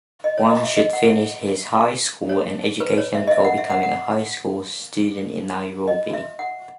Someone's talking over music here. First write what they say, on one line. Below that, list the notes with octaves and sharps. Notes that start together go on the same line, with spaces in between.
One should finish his high school and education before becoming a high school student in Nairobi.
D#5
C#5
D#5
E5
D#5
F#5
E5
C#5
B4
C#5
E5
D#5
E5
F#5
E5
F#5
F#5
D#5
E5
F#5